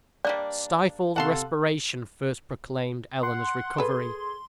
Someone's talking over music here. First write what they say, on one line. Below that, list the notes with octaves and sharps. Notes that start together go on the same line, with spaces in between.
Stifled respiration first proclaimed Eleanor's recovery.
G3 A#3 D4 D5
C3 A4 F5 F#5 A5 C6 F#6
F#5 C6
G#4 A4 B4